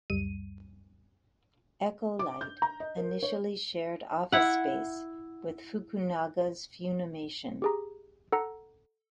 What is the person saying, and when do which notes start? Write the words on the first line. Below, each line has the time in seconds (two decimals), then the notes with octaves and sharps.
EchoLight initially shared office space with Fukunaga's Funimation.
0.10 C#2 F#2 G3 D#7
2.19 D6
2.41 G6
2.62 A#5
2.80 D#5
2.97 A#4
3.23 C#5
4.32 E4 F#5
7.62 G4 G#4 A#5
8.32 A4 F#5 A#5